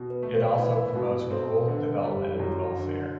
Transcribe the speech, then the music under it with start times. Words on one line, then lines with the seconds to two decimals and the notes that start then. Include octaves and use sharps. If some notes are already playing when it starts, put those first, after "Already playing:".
It also promotes rural development and welfare.
Already playing: B2
0.10 B4
0.23 A3
0.34 C5
0.58 E4 B4
0.95 B2
1.31 C4 A4
1.56 B4
1.68 D3
2.04 G3 C5
2.28 E4
2.39 F#2
2.52 F#4
2.77 D3